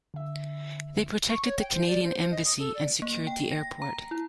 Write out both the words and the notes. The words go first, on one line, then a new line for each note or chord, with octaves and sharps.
They protected the Canadian embassy and secured the airport.
D3 E5
C#6
C#5
G5
C5
D5
C5
C5
D#5
D#6
A4
D5
A#3
G5
A#6
A#5
E4